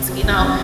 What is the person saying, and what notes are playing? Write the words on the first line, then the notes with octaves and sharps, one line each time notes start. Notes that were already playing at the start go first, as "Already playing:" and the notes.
you know?
Already playing: C3
F#3 C4
C3 D#4
F#3 C4 C#4